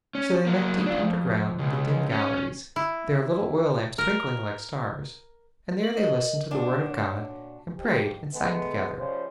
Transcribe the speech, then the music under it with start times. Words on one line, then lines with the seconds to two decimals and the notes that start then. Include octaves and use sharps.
So they met deep underground in the dim galleries, their little oil-lamps twinkling like stars, and there they listened to the Word of God, and prayed and sang together.
0.15 C#4
0.47 F#3 A#3
0.86 D4 F4
1.00 F2
1.59 C#2
2.11 C#4
2.76 E4
3.98 A#4
5.82 A#4 F#7
5.97 D#5
6.51 A#2 D4 F#4
6.90 C#5
7.78 F2 G4
8.34 G#3 A3 B3
8.98 C#2 C#3 F3 G3 C#4 C5